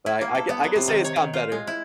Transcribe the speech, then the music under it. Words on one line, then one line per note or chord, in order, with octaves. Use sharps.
But I I c I can say it's gotten better.
E4
A#3
A4
B3
F#3
C3
D#3
C#5
D#3
F4
G#3
E4